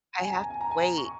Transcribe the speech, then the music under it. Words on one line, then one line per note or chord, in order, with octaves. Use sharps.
"I have to wait
G#5
A#5
G#5
G#5
A#5
G#5
A#5
C#6